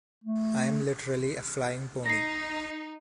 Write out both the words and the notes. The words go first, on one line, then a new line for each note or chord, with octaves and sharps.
I am literally a flying pony.
A3
D#4 A#6 C7